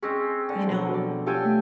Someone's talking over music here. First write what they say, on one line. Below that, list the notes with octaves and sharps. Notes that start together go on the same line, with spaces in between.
you know,
G#3 C4 C#4 G#4
D3
B2 F3
D5
F4 G4 A4 C#5 G5 G#5
A3